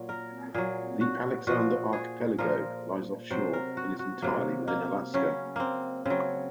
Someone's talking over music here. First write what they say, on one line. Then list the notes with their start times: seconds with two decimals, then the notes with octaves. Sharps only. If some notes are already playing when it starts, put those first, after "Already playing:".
The Alexander Archipelago lies offshore and is entirely within Alaska.
Already playing: A#2 F#3
0.09 A#4
0.54 A#2 F#3 G#4
1.01 F#4
1.47 A#2 F3 F#4
1.93 G#4
2.38 A#2 F3 A#4
3.30 C3 F#3 C5
3.53 A#4
3.77 F#4
3.99 F#4
4.22 C3 F#3 A#3
4.68 A#3
5.14 C#3 F#3 C#4
5.56 A#3 C4
6.05 C#3 F#3 C4